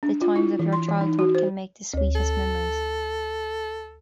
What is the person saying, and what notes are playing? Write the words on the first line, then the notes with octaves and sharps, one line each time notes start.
The times of your childhood can make the sweetest memories.
D4
F4
E4
E3
C6
E3
D#4
F#4
C5
D2 C#5
A4